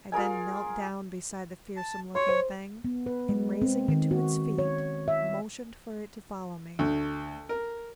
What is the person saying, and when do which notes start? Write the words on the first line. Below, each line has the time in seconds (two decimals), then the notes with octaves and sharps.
I then knelt down beside the fearsome-looking thing, and raising it to its feet motioned for it to follow me.
0.12 F4 G#4 A#4 G#5
1.77 A5
2.15 C#5 C6
2.29 C5
2.84 B3
3.06 B4
3.29 G#3
3.62 C4
3.88 D#3
4.11 F#4
4.58 C#5
5.08 E5
6.79 D2
7.49 A#4